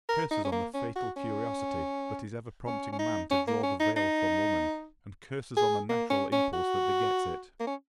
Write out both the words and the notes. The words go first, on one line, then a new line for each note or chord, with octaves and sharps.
Curses on the fatal curiosity that is ever prompting man to draw the veil from woman, and curses on the natural impulse that begets it!
A#4
D#4
C#4
A#3
C#4
F#4
C#4
C#4
C#4
D#4
C#4
A#3
C#4
D#4
D#4
G#4
A#3
C#4
C#4
F#4
A#3
C#4